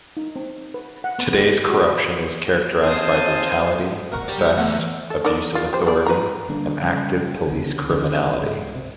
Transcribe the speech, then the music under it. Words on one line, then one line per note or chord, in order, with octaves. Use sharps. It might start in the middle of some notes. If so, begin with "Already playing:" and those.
Today's corruption is characterized by brutality, theft, abuse of authority and active police criminality.
D#4
C4
B4
F#5
B3
G4
F#4
B5
C4 D#4 C5 F5 G#5 A5 D#6
A#4 F#5 C#6
G4 D5
E2 A3 F#5
A4
D#4 A#4 D5
F4
G4 C5
B3 D5
B4 A#5
D3 G3 A#3 D4
C#3 G3 C#4
C#2 D3
D3 D#3 G#3 C#4
C#2 G#2
C3